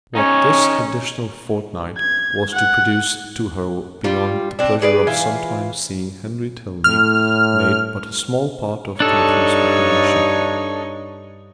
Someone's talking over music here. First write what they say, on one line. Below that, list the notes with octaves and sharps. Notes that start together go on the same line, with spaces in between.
What this additional fortnight was to produce to her beyond the pleasure of sometimes seeing Henry Tilney made but a small part of Catherine's speculation.
C#4 D#4 C#5
G#6
F#5
G3 F4
C4 D4
G#4 B4 D5
E3 F4 E5 G#5
A2 F6
G2 D4 D#4 A4 C#5